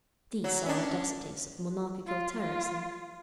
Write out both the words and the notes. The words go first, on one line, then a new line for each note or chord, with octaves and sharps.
These are audacities of monarchical terrorism.
F#3
C#4 D4
F4
F4